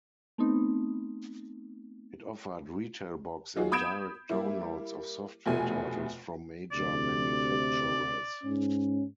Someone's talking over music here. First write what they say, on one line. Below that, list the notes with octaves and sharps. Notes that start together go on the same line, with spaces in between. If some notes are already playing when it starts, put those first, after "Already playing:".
It offered retail box and direct downloads of software titles from major manufacturers.
A3 B3 C4 D#4
F#3 D#4 F4 F#4 G#4
B5 D#6 G6 G#6 D7 E7
G3 A#3 E4
F1 B2 A3 G#5
D2 C3 D5
G#2 C#4